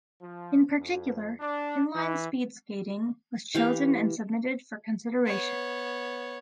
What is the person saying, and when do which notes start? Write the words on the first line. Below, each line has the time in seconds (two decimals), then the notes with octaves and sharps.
In particular, Inline Speedskating was chosen and submitted for consideration.
0.21 F3
0.79 F2
1.40 D4
1.94 E3
3.55 E3 G4 F5
5.25 B3 C#5